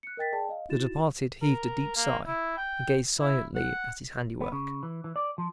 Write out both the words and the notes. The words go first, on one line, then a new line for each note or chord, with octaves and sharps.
The departed heaved a deep sigh, and gazed silently at his handiwork.
F#6 C#7
A#4 D#5 G5 A6 B6
G#4 D5 G5 A5
D#5 F5
D#4 E4 F#4 A6 E7
A#4
A#3
E4
G5
E4
F#5
B3
C#3
E3
E3
D5
F3